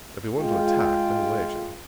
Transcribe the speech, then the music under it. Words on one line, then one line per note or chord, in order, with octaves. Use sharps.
"If we want to attack they're waiting."
G#3 F4 G5